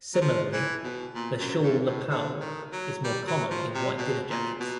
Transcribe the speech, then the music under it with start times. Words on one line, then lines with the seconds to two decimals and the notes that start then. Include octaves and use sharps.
Similarly, the shawl lapel is more common in white dinner jackets.
0.14 F#3
0.21 F3
0.53 E3
0.84 B2
1.15 A#2
1.39 F#2
1.63 G#2
1.86 A2
2.10 D3
2.40 D#3
2.72 F#3
3.04 G3
3.27 F#3
3.50 F3
3.75 C3
3.98 B2
4.30 A#2
4.60 B2